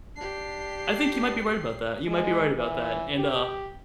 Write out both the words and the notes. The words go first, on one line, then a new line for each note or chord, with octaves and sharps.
I think you might be right about that, you might be right about that, and, uh,
D4 G4 C7
G#3
E3
G4